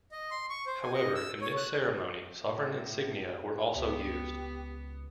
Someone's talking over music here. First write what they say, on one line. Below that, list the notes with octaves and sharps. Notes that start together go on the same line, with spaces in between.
However, in this ceremony sovereign insignia were also used.
D#5
C6
C#6
C5
G#5
D#5
E6
C#5
F#6
A2
C#2 B3 G4